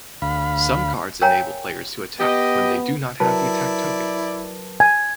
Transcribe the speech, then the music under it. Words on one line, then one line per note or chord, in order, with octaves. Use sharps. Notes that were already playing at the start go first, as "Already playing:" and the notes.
Some cards enable players to attack when they do not have the attack token.
D2 F5 B5
A#4 C#5 F5 G5 G#5 A#5
B3 G4 D#5
F#3 E4 A#4 B4 D5 A5
G#5 G#6